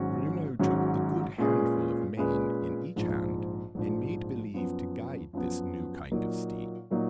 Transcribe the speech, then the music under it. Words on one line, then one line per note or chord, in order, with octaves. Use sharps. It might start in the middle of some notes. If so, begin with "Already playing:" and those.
Bruno took a good handful of mane in each hand, and made believe to guide this new kind of steed.
Already playing: G#1 G#2 F#3 C#4 F#4
G#1 G#2 F#3 C#4 F#4
A#2 G#3 C#4 G#4 B4
A#2 G#3 C#4 G#4 B4
A#1 G#2 F3
A#1 G#2 F3
F#2 F3 B3
F#2 F3 B3
A#2 F#3 A#3 D#4
A#2 F#3 A#3 D#4